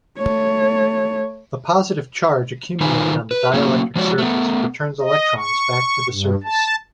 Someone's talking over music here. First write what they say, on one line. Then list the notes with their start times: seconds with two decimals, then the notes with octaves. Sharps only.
The positive charge accumulated on the dielectric surface returns electrons back to the surface.
0.18 A3 C#5
2.81 D#3 D#4 F4 B4 C5 G#5
3.31 B4
3.54 F#3 A3 A#3 C#4
3.96 F3 G#3 F#4 C#5 D5
4.18 A3 B3
5.02 D#5
5.37 C#6
6.09 G2
6.44 A5